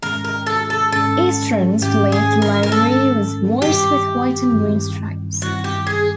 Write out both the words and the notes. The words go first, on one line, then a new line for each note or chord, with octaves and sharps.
Eastrans fleet livery was white with white and green stripes.
G#2 D#3 G#3 C#4 A#4
A#4
A4
A4
G#2 D#3 G#3 C#4 A4
G#2 D#3 G#3 C#4 G4
G#4
A#4
A#4
G#2 D#3 G#3 C#4 A4
G2 D#3 G3 C4 E4 G4
G2 D#3 G3 C4 E4
G2 D#3 G3 C4 E4 F#4
G4
G#4